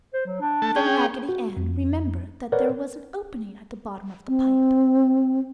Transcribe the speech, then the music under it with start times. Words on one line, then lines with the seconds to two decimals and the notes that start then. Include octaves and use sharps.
Then Raggedy Ann remembered that there was an opening at the bottom of the pipe.
0.13 C5
0.26 F#3
0.41 D4
0.62 A3 A5
0.76 C#4 G#4 G5
1.29 F#4
1.57 F2
2.52 A#4 B4 C#5 D5 F#5
4.28 C4